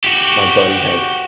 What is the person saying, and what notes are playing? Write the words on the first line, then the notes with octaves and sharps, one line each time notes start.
my buddy had
F#4 G4